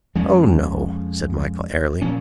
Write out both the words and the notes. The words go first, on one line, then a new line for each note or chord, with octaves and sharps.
"Oh, no," said Michael, airily.
F2 F3 G#3 C#4
A#2 F3 C#4